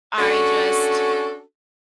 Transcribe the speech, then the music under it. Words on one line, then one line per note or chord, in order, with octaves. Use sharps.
I just
C#4 D4 F#4 A4